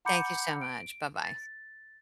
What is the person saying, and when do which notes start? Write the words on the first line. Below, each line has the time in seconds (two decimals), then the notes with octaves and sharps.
Thank you so much. Bye bye.
0.05 F#5 A#5 B5 D6 G6 C#7
0.61 D7
1.24 A6